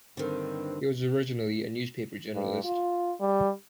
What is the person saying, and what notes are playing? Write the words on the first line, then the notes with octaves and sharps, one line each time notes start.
He was originally a newspaper journalist.
G2 D3 D#3 C4
G2
F4
G3